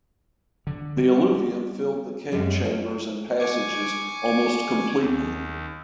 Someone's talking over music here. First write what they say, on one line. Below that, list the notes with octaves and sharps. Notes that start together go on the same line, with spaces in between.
The alluvium filled the cave chambers and passages almost completely.
D3
G3
F#2 G3 G#3
C#4 F4 A4
G#5 C#6 D6
D#2